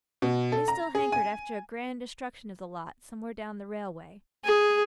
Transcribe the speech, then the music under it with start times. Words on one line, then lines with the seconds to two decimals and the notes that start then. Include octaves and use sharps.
He still hankered after a grand destruction of the lot somewhere down the railway.
0.22 B2
0.52 A4
0.68 A#5
0.95 G#4
1.12 G#5
4.45 G#4